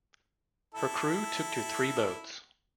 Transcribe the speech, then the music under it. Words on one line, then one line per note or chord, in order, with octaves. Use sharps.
Her crew took to three boats.
E4 A4